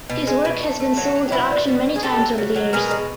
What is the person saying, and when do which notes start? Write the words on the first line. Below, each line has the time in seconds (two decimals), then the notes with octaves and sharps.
His work has been sold at auction many times over the years.
0.10 B2
0.27 G#3
0.45 B2
0.62 A3
0.80 A3
0.97 F#3
1.15 F#3
1.28 G4
1.32 B2 E4 F#4
1.50 G3
1.68 B2
1.86 B2
1.96 G#4
2.03 A3 G4 A4
2.21 F#3
2.38 C#3
2.56 F#3
2.73 B2 G#4 A#4
2.91 G#3